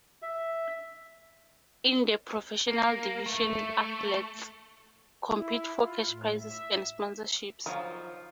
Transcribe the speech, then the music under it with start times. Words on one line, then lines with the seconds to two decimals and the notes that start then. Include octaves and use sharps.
In the professional division athletes compete for cash prizes and sponsorships.
0.22 E5
2.68 A#3
3.26 A3
5.27 E4
5.76 F4
6.04 A2
6.39 E5
7.66 F3 F#3 D#4